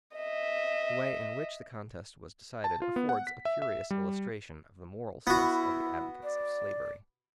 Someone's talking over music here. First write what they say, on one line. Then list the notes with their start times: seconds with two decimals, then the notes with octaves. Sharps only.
The way in which the contest was decided affords a curious illustration of the moral sense of the advocates of slavery.
0.17 D#5 E5
2.64 A5
2.82 F4
2.96 B3
3.09 F#5
3.27 B6
3.45 E5
3.62 E5
3.91 G3
5.27 B3 E4 F#4
6.23 D5